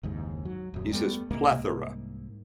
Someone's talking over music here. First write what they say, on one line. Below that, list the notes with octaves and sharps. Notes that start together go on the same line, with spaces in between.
He says "Plethora."
F#1 D#2 G#2
F#3
D#1 F#2
G3 A3 B3
C2 G#2 A#3